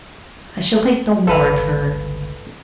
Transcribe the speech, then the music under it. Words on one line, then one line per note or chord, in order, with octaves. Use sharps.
"I shall think no more of her."
G1 C#2 A4 B4 F5